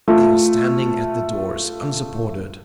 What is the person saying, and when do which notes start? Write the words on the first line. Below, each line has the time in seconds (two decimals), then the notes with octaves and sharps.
They are standing at the doors unsupported.
0.08 A3 F4